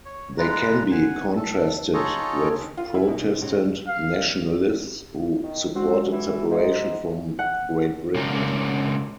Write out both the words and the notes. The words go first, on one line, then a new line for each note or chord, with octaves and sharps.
They can be contrasted with Protestant nationalists, who supported separation from Great Britain.
C#5
G#3 F4 B4 A#5
F#5 G#5
A4
D#4 F4 G#4 A4 C#5 D#5
F4
E4
B2
D3
A1
F5
D#3
G#3 C4 D4 F#4
E3
G#2
F#5
C#3 G#3 D4 G4 A#4